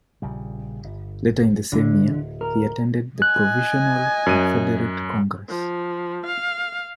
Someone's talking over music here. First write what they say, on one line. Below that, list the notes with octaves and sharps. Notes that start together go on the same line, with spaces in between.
Later in the same year, he attended the Provisional Confederate Congress.
A#1 C#3 G3
G1
D1 D3
A#4
D#5 G#5 F#6
F#2 D#7
F3
F5